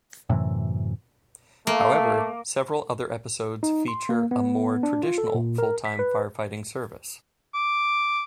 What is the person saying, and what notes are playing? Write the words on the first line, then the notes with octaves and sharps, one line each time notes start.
However several other episodes feature a more traditional full-time firefighting service.
F#2 A2 C3 E3
A3 A#3
D#4
C6
A#3
B3
D4
F4
A4
A#2
A#4
B6
B4
D6